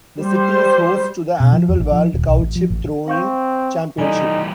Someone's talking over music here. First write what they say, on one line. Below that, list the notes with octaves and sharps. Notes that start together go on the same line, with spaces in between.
The city is host to the annual World Cow Chip Throwing Championship.
G3 C5
B2
F3
E2
A1
F3
D#1
B1
A1
F3
A1
C4 F5 C#6 G6
E3 G3 D#4 A4 D5 G#5